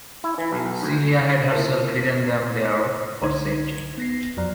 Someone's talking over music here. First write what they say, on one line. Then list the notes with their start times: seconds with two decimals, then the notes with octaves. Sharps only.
Celia had herself hidden them there for safety.
0.24 E4
0.38 E3
0.53 B1
0.83 D2
1.51 A#3 E4 F4 A#4 A5
3.21 C2 D3 D#4 G#6
3.98 B3 A#6 C7
4.37 F2 F3 F#3 D5 A#5 F6